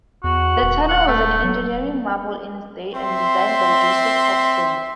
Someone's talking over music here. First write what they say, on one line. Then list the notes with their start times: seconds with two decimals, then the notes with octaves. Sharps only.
The tunnel was an engineering marvel in its day and designed by Joseph Hobson.
0.24 E2 F#4
0.62 D#1
0.89 F#5
1.08 A3
1.44 F#3
2.94 C4 E5 C6